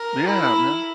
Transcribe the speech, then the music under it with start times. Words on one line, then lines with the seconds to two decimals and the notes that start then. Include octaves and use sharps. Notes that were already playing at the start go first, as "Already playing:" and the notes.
Yeah, man.
Already playing: A#4
0.27 E4